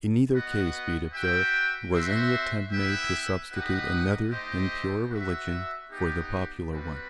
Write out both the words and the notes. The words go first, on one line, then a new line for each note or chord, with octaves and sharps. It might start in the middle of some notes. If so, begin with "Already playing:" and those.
In neither case, be it observed, was any attempt made to substitute another and purer religion for the popular one.
B3 F#4 B4 D#5 F#5
F#4 B4 E5 G5
C4 F#4 C5 E5
B3 E4 B4 E5 G5
D#4 G4 B4 D#5 F#5
A3 D#4 G4 C5 D#5
F#4 B4 E5
B3 D#4 G4
G3 C4 F#4 B4